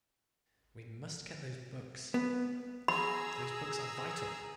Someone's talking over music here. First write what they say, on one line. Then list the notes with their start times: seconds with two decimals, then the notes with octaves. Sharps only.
We must get those books; those books are vital.
2.14 B3
2.88 G#4 A#5 B5 E6